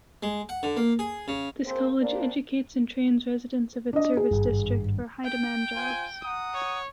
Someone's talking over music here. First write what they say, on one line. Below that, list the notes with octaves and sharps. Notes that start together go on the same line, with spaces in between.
This college educates and trains residents of its service district for high-demand jobs.
G#3
F#5
D3
A#3
G#4
C#3
A#3 C4 G#4 C5
A#3 C4 D4
D4 D#5
G#4
G#1 G2
G5
F4 C5 G#5
F#5 A#5 D#6
C#5